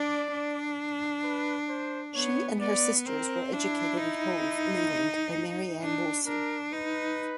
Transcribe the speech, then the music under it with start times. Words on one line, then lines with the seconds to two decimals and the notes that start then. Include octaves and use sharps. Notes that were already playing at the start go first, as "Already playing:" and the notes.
She and her sisters were educated at Hove in England by Mary Ann Moulson.
Already playing: D4 D5
0.33 D4
1.24 B4
1.69 C5
2.15 B3 C#5
2.60 B3 D5
3.06 C4 A#4
3.52 D4 E4
3.97 D#4
5.81 D4
6.27 D4 A#4
6.73 D#4 B4